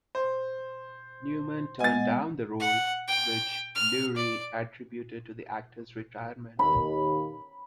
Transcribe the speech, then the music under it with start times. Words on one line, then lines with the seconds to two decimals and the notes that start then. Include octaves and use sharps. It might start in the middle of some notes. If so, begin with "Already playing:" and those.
Newman turned down the role, which Lurie attributed to the actor's retirement.
0.15 C5
1.80 G#3 B3 G#5 A6
2.60 F#5
3.08 G5
3.75 F6
4.17 D5
6.59 D#2 B5